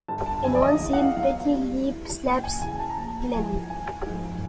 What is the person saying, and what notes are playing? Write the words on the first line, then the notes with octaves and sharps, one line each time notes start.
In one scene, Betty Lee slaps Glenn.
G1 A5
A5
F2 D3 F#3 G#5
D5
D#5
E2
F#5
F5
B2 F#3 F5
G2
E3 A3
F#1 G5
G#5
E2 C#3 G#5
G#5
A5
A#5
A#1 A5
A2 F3 A3 G#5
G#1 G#5
G#2 F3